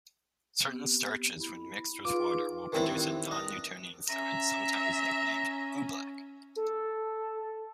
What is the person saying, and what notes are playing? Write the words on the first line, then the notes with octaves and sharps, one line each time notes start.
Certain starches, when mixed with water, will produce a non-newtonian fluid sometimes nicknamed "oobleck".
B3 C4 G4
E4 B5
D#4 F4 G#4 B4 D6
D#3 E3 G3 C4 D4 E4
D4 D#5
C#4 E5 A#5
A4